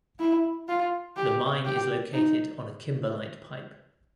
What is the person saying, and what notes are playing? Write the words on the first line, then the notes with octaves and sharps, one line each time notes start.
The mine is located on a kimberlite pipe.
E4
F4
G4
G4
D#4